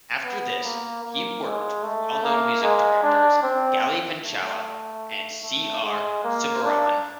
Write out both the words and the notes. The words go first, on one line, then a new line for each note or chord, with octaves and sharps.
After this, he worked with well-known music directors "Gali Penchala" and C. R. Subbaraman.
B3
A#3
A#3
G#3
A3
A#3
G#3
D4
C4
A3
A3
G#3
A#3
D4